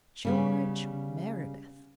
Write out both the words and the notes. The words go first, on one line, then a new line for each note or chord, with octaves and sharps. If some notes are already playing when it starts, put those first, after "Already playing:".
George Meredith?
C#3 G3 B3